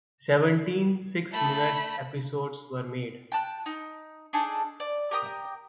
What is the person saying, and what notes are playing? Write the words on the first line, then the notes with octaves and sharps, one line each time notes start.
Seventeen six-minute episodes were made.
A3 A5 B5
G5 A5 F#6
D#4
D4 D#4 G#4 A4
D5
G4 A#4 G5 D#6